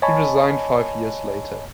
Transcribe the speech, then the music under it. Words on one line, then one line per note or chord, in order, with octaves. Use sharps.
He resigned five years later.
C#5 D#5 G#5 A5 B5 C#6